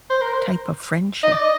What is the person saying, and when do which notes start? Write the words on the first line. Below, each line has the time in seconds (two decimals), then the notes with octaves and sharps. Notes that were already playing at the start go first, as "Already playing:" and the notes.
type of friendship.
0.10 C5
0.22 A#4
0.33 C5
1.23 D#5
1.32 D5
1.41 D#5